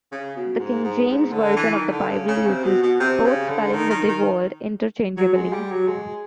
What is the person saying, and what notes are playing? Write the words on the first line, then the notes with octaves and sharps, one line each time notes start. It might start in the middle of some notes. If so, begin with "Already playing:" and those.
The King James Version of the Bible uses both spellings of the word interchangeably.
C#3
B2
G#2
G#2
G#2
D3
E3
D#3
D3
C#3
C#3
C3
B2
B2
C3
C#3
D3
D#3
D#3
D#3
F#3
G#3
G3
F#3
G#3